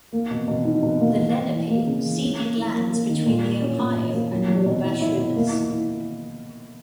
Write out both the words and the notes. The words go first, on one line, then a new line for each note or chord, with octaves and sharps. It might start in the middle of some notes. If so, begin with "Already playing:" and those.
The Lenape ceded lands between the Ohio and Wabash rivers.
A#3
B2
B2
D#4
B2
A#3
E3
E3
E3
A#3
C#3
E3
C#4
A#3
E4
A#3
A#3
D#3
A#2
A#3
C#4
A#2
A#2
A#3
F#3
F#3
B2
E4
E4
B2
A#3
E4
E4